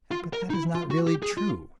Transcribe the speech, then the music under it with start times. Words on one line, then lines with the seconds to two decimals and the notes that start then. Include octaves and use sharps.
But that is not really true.
0.11 F4
0.33 A#4
0.50 D#4
0.54 E4
0.75 F4
0.91 F#4
1.07 G4
1.23 G#4
1.38 F4